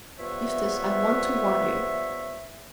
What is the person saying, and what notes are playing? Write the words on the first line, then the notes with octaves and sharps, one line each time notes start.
Eustace, I want to warn you.
G2 F3 B3 B4 C#5 E5